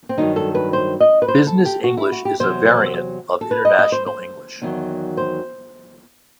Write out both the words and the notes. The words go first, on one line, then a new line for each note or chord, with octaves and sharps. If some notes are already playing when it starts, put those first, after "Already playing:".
Business English is a variant of international English.
C4
G2 D#3 F#3 D#4
A4
B4
C5
D#5
B4
C5
A4
G4
F#4
E4
F#4
G4
E2 C3 F#3 C5
A4
B4
D#5
D#5
C5
C5
E2 D#3 F#3
C5